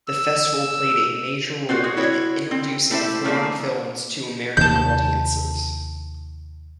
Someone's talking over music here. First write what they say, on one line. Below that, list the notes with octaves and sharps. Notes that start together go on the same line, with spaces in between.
The festival played a major role in introducing foreign films to American audiences.
E6
C4 F4 F#4 C5
F#4 G#4
E4 F#4 C#5
C4
A3 E4 G4 A4 C5 E5
D#3 F3 A3 A#3 C4 D4
D#2 C3 D#3 A5 G6